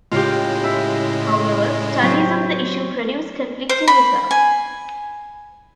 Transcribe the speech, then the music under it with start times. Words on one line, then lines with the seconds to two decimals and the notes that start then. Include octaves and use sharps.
However, studies of the issue produce conflicting results.
0.12 A2 C#3 G#3 F4 G4
0.64 E4
2.02 F#3 C4
3.69 C5
3.88 B5
4.31 G#5